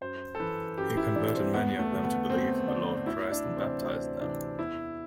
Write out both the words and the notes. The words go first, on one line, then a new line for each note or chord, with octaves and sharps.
He converted many of them to believe in the Lord Christ and baptized them.
F#2 C5
A4
E3 B4
F#2 G4
E4
E3 D4
C4
E2 B3
A3
D3
B3
E2 C4
D3 D4
D2 E4
D4
C3 E3
C4
D2 C4
C3 E3 D4
E2 E4